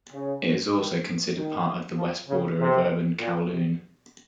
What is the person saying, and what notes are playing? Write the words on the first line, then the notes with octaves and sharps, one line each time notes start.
It is also considered part of the west border of urban Kowloon.
C#3
D#3
D#3
F3
C#3
C3
A#2
C3